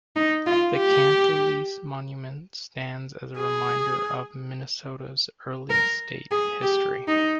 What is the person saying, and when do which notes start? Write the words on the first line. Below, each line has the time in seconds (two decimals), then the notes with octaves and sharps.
The Camp Release Monument stands as a reminder of Minnesota's early state history.
0.16 D#4
0.46 F4
0.77 G4
3.39 G#4
5.70 A#4
6.31 G#4
6.62 G4
7.08 D#4